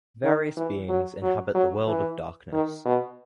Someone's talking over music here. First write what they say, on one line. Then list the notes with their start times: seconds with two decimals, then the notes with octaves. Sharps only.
Various beings inhabit the World of Darkness.
0.24 D#3
0.57 E3
0.89 F#3
1.22 F#3
1.55 F#3
1.88 E3
2.52 D#3
2.85 B2